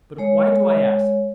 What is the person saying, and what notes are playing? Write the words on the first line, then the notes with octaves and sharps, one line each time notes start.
But why do I ask?
G#3 C#5